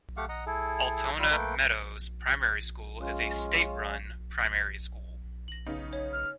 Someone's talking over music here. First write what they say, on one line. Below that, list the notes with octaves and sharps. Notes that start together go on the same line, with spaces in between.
Altona Meadows Primary School is a state-run primary school.
A3 G4 F5 F#5
D#5 F#5 A#5
E4 G#4 A4
G3 F4 E6
A3 A#3 B4 G5
G#3 C#4 F4
A#6 F#7
C#3 B3 D#4
C#5
F6